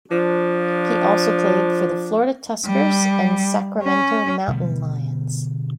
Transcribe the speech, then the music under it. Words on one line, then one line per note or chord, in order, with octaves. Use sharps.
He also played for the Florida Tuskers and Sacramento Mountain Lions.
F3 D4
G3
C#4
B2 D3 G3 B3